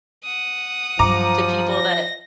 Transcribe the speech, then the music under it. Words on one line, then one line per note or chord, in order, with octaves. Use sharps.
to people that
F#5 D#6
G2 F3 F#3 A#5 D6
A#6